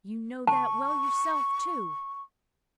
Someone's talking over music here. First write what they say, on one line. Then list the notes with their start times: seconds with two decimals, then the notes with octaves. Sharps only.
You know that well yourself, too.
0.47 A5 C#6